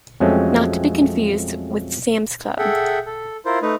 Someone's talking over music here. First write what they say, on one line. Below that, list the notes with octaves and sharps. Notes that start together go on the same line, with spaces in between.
Not to be confused with Sam's Club.
F2 F#3 G#3 A3 C4 C#4
G#4 A4 E5 F#5 G5
A4
E4 F4 A#4 C5
A3 D#4 B4